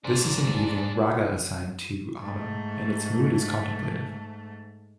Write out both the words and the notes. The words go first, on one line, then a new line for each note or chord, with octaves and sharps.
This is an evening raga assigned to autumn and its mood is contemplative.
D4 G#4 C5
G#2 A3